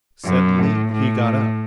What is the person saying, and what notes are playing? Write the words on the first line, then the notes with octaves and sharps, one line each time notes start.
Suddenly he got up.
F#2
A2
A2